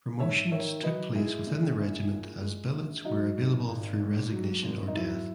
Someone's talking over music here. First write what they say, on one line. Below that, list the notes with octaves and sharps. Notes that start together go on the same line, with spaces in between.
Promotions took place within the regiment as billets were available through resignation or death.
G#2 C#5 E5
D#3 C#5 E5
F#3 B4 D#5
G#3 E4 G#4
A#1
A#1
A#2
G#3
A#1
F#3 D#4 F#4
G#1
G#1
G#2
F#3
G#1
D#4
F#3 E4